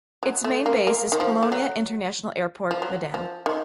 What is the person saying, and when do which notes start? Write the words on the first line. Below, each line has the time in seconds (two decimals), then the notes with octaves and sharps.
Its main base is Polonia International Airport, Medan.
0.23 F#3
0.44 A3
0.66 A#3
0.87 A#3
1.12 D#3
1.20 F3
1.43 A3
1.52 F#3
2.71 F3
2.82 F#3
3.14 F3
3.46 D#3